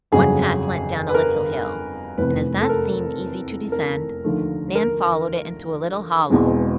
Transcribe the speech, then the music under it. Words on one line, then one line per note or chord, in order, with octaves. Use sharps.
One path went down a little hill, and as that seemed easy to descend, Nan followed it into a little hollow.
G1 F2 C#3 F#3 G#4
B4
A#4
F1 E2 C3 B4
A4
A#4
A#4
D#2 D3 F3 A3
A#4
E1 E2 B2 G#3 C4